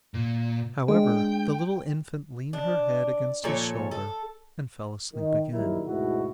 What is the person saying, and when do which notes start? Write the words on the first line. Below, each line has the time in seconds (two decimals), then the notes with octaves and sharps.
However, the little infant leaned her head against his shoulder, and fell asleep again.
0.14 A#2
0.88 G#3 D4 G5
2.53 D4
3.44 A#2 F3 A4 C#5
3.91 A4
5.13 D#3
5.52 A#1 D#3 F#3 G3 E4 A#4
5.85 D2 G#2 B2 A3 E4 F#4